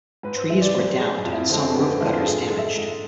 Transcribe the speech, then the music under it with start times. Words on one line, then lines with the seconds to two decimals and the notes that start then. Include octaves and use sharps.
Trees were downed and some roof gutters damaged.
0.23 G#2 B4
0.37 C5
0.49 G#3 E5
0.62 D5
0.74 G#2 C5
0.99 G#3 G#4
1.25 F2 F4
1.33 E4
1.40 F4
1.49 D3 F3 G#3 C4
1.75 F2 B3
1.88 C4
2.00 D3 F3 G#3 E4
2.12 F4
2.25 G#2 G#4
2.42 A4
2.50 G#3
2.59 E5
2.76 G#2